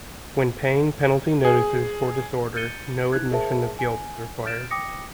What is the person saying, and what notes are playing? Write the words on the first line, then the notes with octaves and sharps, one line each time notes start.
When paying penalty notices for disorder, no admission of guilt is required.
G#4
G6 A6 C#7 D#7 G7
D#4 E4 F#6 G#6
G#4 A#4 C5 E5 A5
G#5
F6 G6 A6 D7 E7
G5 D6 D#6 A#6 C#7